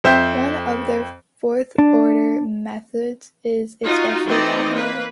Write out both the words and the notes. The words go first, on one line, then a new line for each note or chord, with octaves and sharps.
One of their fourth-order methods is especially popular.
F2 C5 E5 G5 G6
D4
D#4 F4 F#4
E3 A3 C4 D#4 D5 D#5
A#3 B4